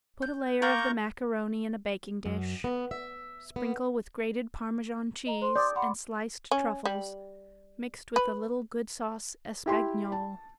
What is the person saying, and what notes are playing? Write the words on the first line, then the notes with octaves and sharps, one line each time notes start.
Put a layer of the macaroni in a baking dish, sprinkle with grated Parmesan cheese and sliced truffles mixed with a little good sauce espagnole.
G6
A#3 A#5 C#6 G6
F#2
B3
E5
B3
D#5 A#5
C5 C6
D5 D6 D#6 G6
F#5 B5 C6 D6
C#4
G3
B4
E4 G4 C6
A5